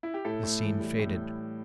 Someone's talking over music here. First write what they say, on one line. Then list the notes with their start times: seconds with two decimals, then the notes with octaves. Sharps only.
The scene faded.
0.03 E4
0.14 G4
0.25 A2 E4 A4
0.43 A2
0.62 E3
0.80 G3
0.99 A2